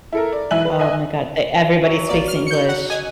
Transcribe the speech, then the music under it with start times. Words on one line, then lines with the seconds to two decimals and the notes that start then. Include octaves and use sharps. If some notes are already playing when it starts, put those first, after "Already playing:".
Oh my god. Th everybody speaks English.
0.12 E4 A4 A#4
0.32 D5
0.51 B1 E3 E5 G#5 F#6 F#7
0.65 B4
0.79 D#5 E5 G#5 F#6
1.83 F#3
2.09 A1 A#3 D5
2.28 F6
2.47 G6 C#7
2.68 F#5
2.90 D#5 F#5 G#5